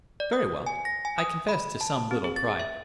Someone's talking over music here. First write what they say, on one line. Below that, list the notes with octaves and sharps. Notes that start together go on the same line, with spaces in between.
Very well: I confess to some little pride.
D5
D#6
G#5
A#6
G#5
D#6
B5
A5
C4
G#4
A6
E5